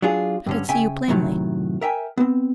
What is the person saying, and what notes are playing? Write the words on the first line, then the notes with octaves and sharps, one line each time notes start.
I could see you plainly.
F#3 D4 F4 G#4
G2 D3 C#4
C#3 E5 G5 G#5
F#2 A2 C3 D#3 F3 F#3
A#4 E5 G5 G#5
B3 C4